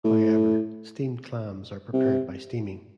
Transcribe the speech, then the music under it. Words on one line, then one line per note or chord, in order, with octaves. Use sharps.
However, steamed clams are prepared by steaming.
A2
C3